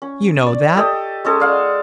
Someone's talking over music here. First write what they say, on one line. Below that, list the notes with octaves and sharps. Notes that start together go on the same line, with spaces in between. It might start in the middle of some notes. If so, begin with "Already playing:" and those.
You know that.
C#4
D5
G4 A4 D#5
G#3 C#4 A4
D5 F5 F#5